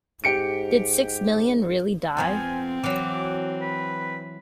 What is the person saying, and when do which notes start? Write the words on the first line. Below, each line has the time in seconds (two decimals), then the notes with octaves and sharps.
Did Six Million Really Die?
0.24 G#2 G4 C#7 D7
2.17 F2 F3 B3 C4 G#5
2.84 E3 F#3 D6
3.61 B4